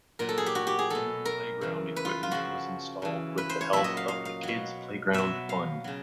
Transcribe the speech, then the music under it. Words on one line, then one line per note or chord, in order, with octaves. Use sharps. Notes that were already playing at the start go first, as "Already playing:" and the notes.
New playground equipment was installed with the help of the Kids Playground Fund.
A#2 F#3 A#4
A4
G#4
G4
F#4
G4
G#4
B2 F#3 A4
A#4
C#3 E3
B4
F4
F4
C#3 F3 F#4
C#3 E3
B4
C5
C#5
A#2 F#3 E5
D#5
F5
F5
F5
B2 F#3
B2 F#3 E5
F5
C#3 F#3